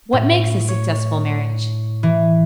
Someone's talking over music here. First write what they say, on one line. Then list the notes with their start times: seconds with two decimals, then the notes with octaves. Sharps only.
What makes a successful marriage?
0.13 A2
0.68 C#5
2.03 E3